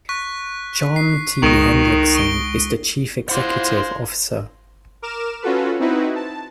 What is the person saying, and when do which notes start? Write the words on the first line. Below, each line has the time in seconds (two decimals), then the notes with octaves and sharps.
John T. Hendrickson is the Chief Executive Officer.
0.09 C#6 F#6 B6
0.96 C7
1.43 C#2 D#3 G#3 C#6 D#6 A#6
2.14 C#6 D7 G7
3.29 G#3 E4 F4 C5 F#5 C6
5.02 A#4 D6 F6 E7
5.42 C#4 F4 F#4 A4 B4
5.80 C4 D#4 E4 F#4 B4
6.16 A5